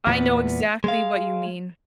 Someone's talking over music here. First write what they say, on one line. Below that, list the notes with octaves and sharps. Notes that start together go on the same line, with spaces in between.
I know exactly what you mean.
E2 A#2 B3
G#3 F5